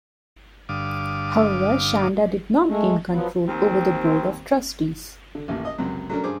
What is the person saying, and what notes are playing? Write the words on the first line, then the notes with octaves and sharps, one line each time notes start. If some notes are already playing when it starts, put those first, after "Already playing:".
However, Shanda did not gain control over the board of trustees.
G2 D3 F5 D6 D#6
G#3 A3
F3 F#3 B3
D#2 C4
D3
A1 D#2
D#5
C#2 F#2 C3 F#3
F#3 A3 C#4 D4 A#4
G2 G#4 C5 D6